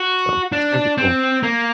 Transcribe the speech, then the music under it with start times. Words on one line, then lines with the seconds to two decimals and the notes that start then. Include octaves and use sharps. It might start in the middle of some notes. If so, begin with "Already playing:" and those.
so, it's gonna be cool.
Already playing: F#4
0.52 D4
0.98 C4
1.43 A#3